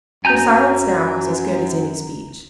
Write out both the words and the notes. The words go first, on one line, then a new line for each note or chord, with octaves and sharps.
Her silence now was as good as any speech.
F#2 G#5 A#5 G6